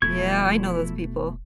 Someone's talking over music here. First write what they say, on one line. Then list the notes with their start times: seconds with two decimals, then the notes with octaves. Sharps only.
Yeah, I know those people.
0.02 E1 B2 F3 A3 E4 C#6 G#6